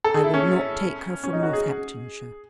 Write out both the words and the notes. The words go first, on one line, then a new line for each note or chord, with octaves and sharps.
I will not take her from Northamptonshire.
A4
G#4
E4
C#4
C#4
D#4
F#4
G#4